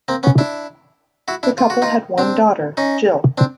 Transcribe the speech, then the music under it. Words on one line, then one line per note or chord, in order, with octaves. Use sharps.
The couple had one daughter, Jill.
A#3 C4
B3 C#4
D4 E4
E4 F#4
D4 E4
F4
F#4
D#4 F4
C4 D4
C#4 D#4
C4 D4